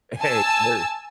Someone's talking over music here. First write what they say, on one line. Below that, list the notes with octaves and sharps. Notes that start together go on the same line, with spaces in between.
Hey, mer
G#5 A5 E6